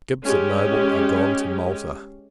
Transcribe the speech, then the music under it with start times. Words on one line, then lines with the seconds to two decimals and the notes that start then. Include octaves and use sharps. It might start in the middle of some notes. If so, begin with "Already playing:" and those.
Gibbs and Noble are gone to Malta.
0.23 G#3 C#4 G4